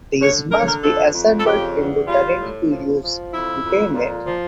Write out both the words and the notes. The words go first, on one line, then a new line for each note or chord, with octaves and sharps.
These must be assembled into the ready-to-use grenade.
D3 C#5
D3 A#4
C#5
A#4
F2 A4
F2
A4
C#3 G4
E2
G3 F4
A2
F3
F3
F2 E4
F2
A#2
F3